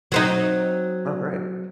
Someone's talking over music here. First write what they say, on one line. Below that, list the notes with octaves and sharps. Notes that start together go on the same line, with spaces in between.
Oh, great.
F#3 C4 D#4